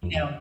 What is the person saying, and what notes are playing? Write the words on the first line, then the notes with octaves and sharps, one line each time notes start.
you know?
F2
E2